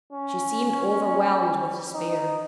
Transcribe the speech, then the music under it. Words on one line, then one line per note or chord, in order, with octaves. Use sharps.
She seemed overwhelmed with despair.
C#4
D#4